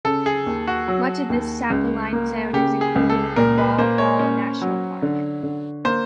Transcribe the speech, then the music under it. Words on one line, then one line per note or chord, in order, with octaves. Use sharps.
Much of this subalpine zone is included in the Baw Baw National Park.
C#3 A4
G#4
D#2
F#4
F#3
D#2
C#2
A#3
C#3 G4
G#4
C#2
A4
A#2 A#4
B4
A#3 C5
C#5
C#4
F#3
D3
D3
A#3 C5